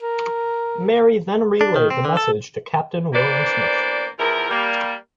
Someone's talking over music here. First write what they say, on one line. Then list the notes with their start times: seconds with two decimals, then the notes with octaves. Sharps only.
Mary then relayed the message to Captain William Smith.
0.02 A#4
1.61 D4
1.76 D#3
1.90 C4
2.05 D3
2.17 A4
3.14 E3 A#3 B3 D4 C5 D5
4.19 E2 F3 E4 A#4
4.50 G3 A#3